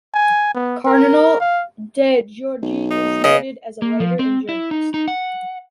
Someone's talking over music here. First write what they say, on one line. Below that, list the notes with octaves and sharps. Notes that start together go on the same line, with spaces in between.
Cardinal De Giorgi is noted as a writer and journalist.
G#5
B3
A#4
F5
B1
D#4
C#3 D#5
A#3
F3
C4
E4
D#4
D#4
F#5